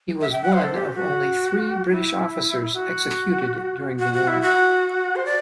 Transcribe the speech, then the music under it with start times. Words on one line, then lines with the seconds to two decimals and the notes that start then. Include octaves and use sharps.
He was one of only three British officers executed during the war.
0.21 E5
0.32 G5
0.43 F#5
0.53 C5
0.63 A4
0.74 G4
0.85 F#4
0.95 F#4
1.90 E4
2.74 F#4
3.99 F#4
4.14 F#4
4.27 E4
4.42 F#4
5.16 C5
5.26 D5